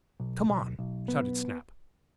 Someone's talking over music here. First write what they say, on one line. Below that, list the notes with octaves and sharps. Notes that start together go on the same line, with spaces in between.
"Come on!" shouted Snap.
B1
B1
B1
B3